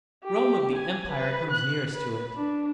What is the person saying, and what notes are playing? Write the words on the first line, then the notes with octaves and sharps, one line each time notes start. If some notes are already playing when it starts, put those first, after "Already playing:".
"Rome of the Empire comes nearest to it...."
G4
G#5
B4
F#6
B4
D4